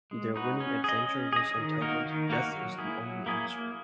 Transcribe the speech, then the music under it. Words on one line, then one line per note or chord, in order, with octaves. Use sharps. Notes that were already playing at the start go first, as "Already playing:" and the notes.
Their winning adventure was entitled "Death Is the Only Answer".
G#3
D#4 F#4 B4
C#4
G#4 D#5
C#4
G#4 D#5
D#3
A#3 D#4 F#4 A#4
D#3
A#3 D#4 F#4 A#4
F#3
A#3 E4 G#4
F#3
A#3 E4 G#4
A#3